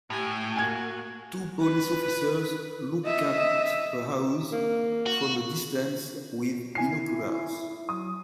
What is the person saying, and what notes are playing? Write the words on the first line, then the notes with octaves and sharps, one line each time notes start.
Two police officers look at a house from a distance with binoculars.
A2 G4 G#5
A#3 F#4 G#5 G#6
B4
D#5 E5
A#3
F#4
E4 G#5 C7
F#3 D#6